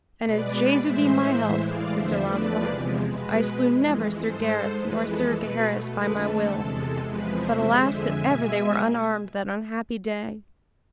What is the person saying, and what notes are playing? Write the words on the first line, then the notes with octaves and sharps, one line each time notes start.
And as Jesu be my help, said Sir Launcelot, I slew never Sir Gareth nor Sir Gaheris by my will; but alas that ever they were unarmed that unhappy day.
B2 G#3 B4 D5
A2 E3 G#3 C5 E5
A2 E3 G#3
D5 F5
E2 D3 F3 A3 C5 E5
B4 D5
E2 C3 F3 G#3
B2 G#3 B4
F2 E3 G#3
G#2 G#3 A4 C5
F2 E3 G#3 B4
A4
B2 A3 B4
F2 D3 A3 B4
A4
E2 C3 G#3
E2 C3 F3 G#3 B4
C5 E5
F2 D3 G#3
E5 G#5
B2 G#3 E5 G#5